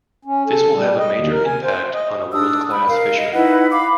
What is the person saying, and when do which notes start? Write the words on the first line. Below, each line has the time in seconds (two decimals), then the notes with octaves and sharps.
This will have a major impact on a world-class fishery.
0.25 C#4
0.47 A4
0.75 G3
0.98 D#5
1.13 D#2
1.31 A#4
1.45 G#5
1.63 C5
1.93 D#5
2.33 D4 D#6 E6
2.71 B5
2.88 A#4 F5
3.17 D#5
3.33 D#4 E4 B4 F#5
3.71 F5 B5 D6